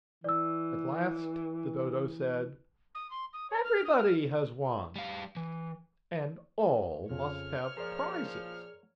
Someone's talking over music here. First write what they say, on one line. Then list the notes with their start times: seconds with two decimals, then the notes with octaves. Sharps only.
At last the Dodo said, 'EVERYBODY has won, and all must have prizes.'
0.24 E3 D5 E6
2.95 D#6
3.11 C6
3.33 D#6
3.50 C#5
3.64 F6
3.85 D#6
3.98 F6
4.96 G3 F5
5.37 E3
7.09 F2 C#3 F3 C#5 F6
7.77 A#2 F3 G#4 A#4 C5 D5